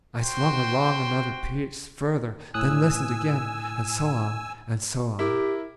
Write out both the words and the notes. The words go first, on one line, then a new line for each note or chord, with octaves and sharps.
I slunk along another piece further, then listened again; and so on, and so on.
F#4 C5 G5 C6
A2 G#5 D#6 E6 F#6
E4 G4 A#4 E5